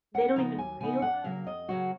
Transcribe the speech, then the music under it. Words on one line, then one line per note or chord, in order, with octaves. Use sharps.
they don't even realize
D#2 F#5
C#3 F3 B3 D#4 A#5
D#2 G#5
C#3 F3 B3 D#4 G#5
F2 F#5
C#3 F#3 A#3 F5
F2 D#5
C#3 F#3 A#3 F#4